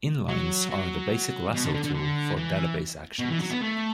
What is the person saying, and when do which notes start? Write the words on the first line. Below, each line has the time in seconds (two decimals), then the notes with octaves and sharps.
Inlines are the basic Lasso tool for database actions.
0.28 F#3
0.70 F#3
1.54 B2
1.64 D3
1.74 D3
1.85 D3
1.95 D3
2.36 E3
3.19 B2
3.30 E3
3.41 F#3
3.51 B3
3.62 A3